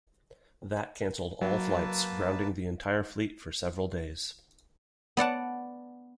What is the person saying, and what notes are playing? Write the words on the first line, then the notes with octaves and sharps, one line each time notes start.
That cancelled all flights, grounding the entire fleet for several days.
F#3 A#3 B4 A5
B3 D5 F#5 A5